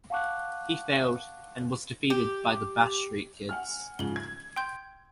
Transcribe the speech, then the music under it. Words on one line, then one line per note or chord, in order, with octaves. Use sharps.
He failed, and was defeated by The Bash Street Kids.
F5 F#5 A5 C#6 D6 F#6
G4
F#5 G#5 F6
G#2 C#3 F3 F#7 G7
G#6
G5 C6 G6